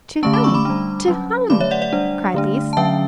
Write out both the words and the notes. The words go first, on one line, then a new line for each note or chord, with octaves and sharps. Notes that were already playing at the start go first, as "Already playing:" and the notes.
"To whom, to whom?" cried Lise.
D3 A3 C#4 A5 C#6
B5 D6
C#6 E6
B5 D6
G3 D4
F#3 C#4
D3 F#3 A3 B5 D6
C#5 E5
D5 F#5
D5 F#5
G3 D4
D3 A3 D4
A5
D3 F#3 C#4 E5 G5